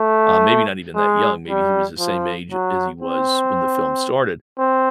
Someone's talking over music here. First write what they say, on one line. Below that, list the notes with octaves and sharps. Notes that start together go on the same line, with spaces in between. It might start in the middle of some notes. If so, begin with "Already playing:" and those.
uh, maybe not even that young, maybe he was the same age as he was when the film started-
Already playing: A3
G#3
G3
F3
F#3
C4
C4